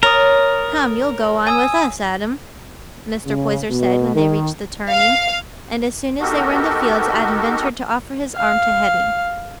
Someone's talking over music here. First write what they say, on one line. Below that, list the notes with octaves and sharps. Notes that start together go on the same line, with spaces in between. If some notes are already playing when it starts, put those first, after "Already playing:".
"Come, you'll go on with us, Adam," Mr. Poyser said when they reached the turning; and as soon as they were in the fields Adam ventured to offer his arm to Hetty.
A#4 C#5 D#6 A6
G#5 D#6 E6
C#3
B2
D#3
F5
B3 D#4 F#4 G4 A4 A#4
F5